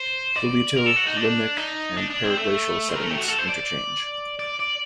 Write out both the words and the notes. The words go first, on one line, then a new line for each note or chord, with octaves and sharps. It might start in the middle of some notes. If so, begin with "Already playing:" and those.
Fluviatile, limnic and periglacial sediments interchange.
Already playing: C5
D5
A#4
A4
F#4
D#4
D4
D#4
D4
D4
C4
A3
C5
A#4
A4
G4
F#4
A4
C5
D5
D5
D5